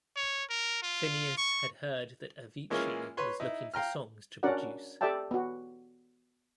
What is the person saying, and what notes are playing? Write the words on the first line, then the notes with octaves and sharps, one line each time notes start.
Finneas had heard that Avicii was looking for songs to produce.
C#5
A#4
F4
C#6
E3 G#3 A#3 C#4 F4
B4 C#5 C6
D#4 E4
F5 G5 A#5 F6
C#4 D4 F#4 A#4 D5 F#5
G4 A4 D5 E5 G5 A5
B3 F#4